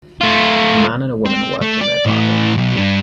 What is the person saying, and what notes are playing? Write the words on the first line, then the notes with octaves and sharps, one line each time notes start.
A man and a woman work in their garden.
A3 F4
C4
A3
D5
A2 E3
B1 B2
G2 G3